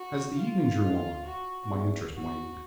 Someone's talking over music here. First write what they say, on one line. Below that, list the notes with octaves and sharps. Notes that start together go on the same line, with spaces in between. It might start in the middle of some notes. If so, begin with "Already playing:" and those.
'As the evening drew on, my interest waned.
Already playing: F#4
F4
F2
F#4
E2
F#4